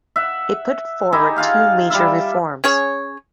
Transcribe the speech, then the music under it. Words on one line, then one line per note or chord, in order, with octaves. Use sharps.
It put forward two major reforms.
E5 F#5
D#4 E4 G4 G#4
F4 G#4 F5 F#5
G3 E4 F4 E5
C#4 G#4 C#5